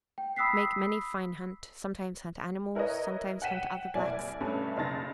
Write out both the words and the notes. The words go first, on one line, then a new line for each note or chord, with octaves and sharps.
Make many fine hunt, sometimes hunt animals, sometimes hunt other Blacks.
G5
B5 D#6 E6 F#6 B6 C7
E4 A#4 B4 C#5 D#5
F#5 G5 F#6 B6 D#7 E7
F#1 C2 E4 D5 G#5
G2 A3 C#4 D4
F#1 C#3 D#4 A5 A6 A#6